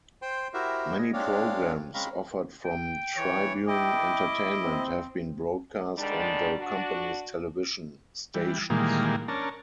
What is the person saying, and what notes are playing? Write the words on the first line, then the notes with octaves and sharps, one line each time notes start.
Many programs offered from Tribune Entertainment have been broadcast on the company's television stations.
C5 G5 C6
E4 F#4 G4 A#4 C5 E5
G#4 D#5
G#3 C4 D4 C#5 D5 F5
G#3 C4 C#4 F5 A#5 B5
G5
E3 C#5
E4 D#5 G5 D6
C4
D3 D#3 G3 G#3 D4
D4 F#4
E3 G3
A#2 D#3 E3 G3 G#3 A#3
C#4 D4 A#4 A5